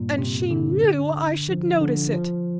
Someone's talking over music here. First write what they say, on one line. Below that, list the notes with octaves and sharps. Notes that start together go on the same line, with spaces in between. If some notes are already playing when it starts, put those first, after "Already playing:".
And she knew I should notice it.
Already playing: G2 A#2
C3
D3
F3
D3
F3